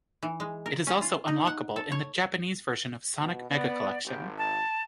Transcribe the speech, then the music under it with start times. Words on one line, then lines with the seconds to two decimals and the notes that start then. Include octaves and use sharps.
It is also unlockable in the Japanese version of "Sonic Mega Collection".
0.23 E3
0.40 G#3
0.66 A#4
0.87 C#4
1.01 F4
1.28 D#4
1.47 F#5
1.76 A4
1.92 C#5
3.20 B2
3.50 B3 D5
4.06 G#1 G4
4.38 A5